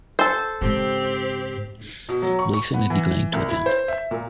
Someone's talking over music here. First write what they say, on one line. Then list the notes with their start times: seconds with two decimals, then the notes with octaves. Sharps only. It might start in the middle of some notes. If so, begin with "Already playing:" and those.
Blake Sennett declined to attend.
0.19 A4 C5
0.61 G#2 C#3 C4 G4
2.09 B2
2.22 F#3
2.39 C#6
2.54 C#6
2.74 B3
2.90 E3
3.33 C2
3.49 E4
3.66 C5
3.88 E5
4.11 A#2